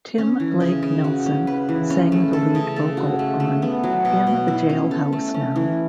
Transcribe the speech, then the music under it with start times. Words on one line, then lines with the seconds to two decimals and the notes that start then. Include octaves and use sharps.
Tim Blake Nelson sang the lead vocal on "In the Jailhouse Now".
0.18 C#4
0.40 E3
0.61 C#3
0.82 C#3
1.04 F#4
1.26 C#4
1.47 B4
1.69 E3
1.90 C#4
2.12 A3
2.33 A4
2.55 C#3
2.76 A4
2.97 F#4
3.19 A3
3.40 A3
3.62 B3
3.84 F#3
4.05 B2
4.27 B2
4.48 E4
4.69 C#4
4.91 A4
5.13 A3
5.34 C#4
5.56 E3